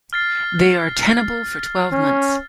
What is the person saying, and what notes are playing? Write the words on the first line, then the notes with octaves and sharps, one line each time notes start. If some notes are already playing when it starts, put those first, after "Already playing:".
They are tenable for twelve months.
F6 A6 C7
C#4